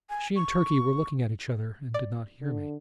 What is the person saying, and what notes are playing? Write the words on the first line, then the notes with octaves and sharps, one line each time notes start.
She and Turkey were looking at each other, and did not hear me.
G#5
C#6
D5
D3